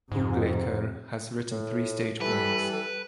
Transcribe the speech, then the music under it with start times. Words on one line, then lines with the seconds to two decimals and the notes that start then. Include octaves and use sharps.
Hugleikur has written three stage plays.
0.12 F2 G#2 C3
1.51 A2
2.21 E3 G3 A4 B4